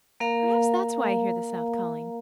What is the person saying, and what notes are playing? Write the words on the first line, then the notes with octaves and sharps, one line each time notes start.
Perhaps that is why I hear the South calling.
A#3 A#4 F5 A#5